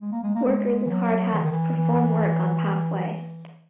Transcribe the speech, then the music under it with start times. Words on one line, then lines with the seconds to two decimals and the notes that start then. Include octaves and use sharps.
Workers in hard hats perform work on pathway.
0.02 G#3
0.12 A#3
0.23 G#3
0.35 A#3
0.45 G#3
0.86 E3
0.90 F#3
1.33 E3
1.43 D#3
1.52 E3
1.77 E3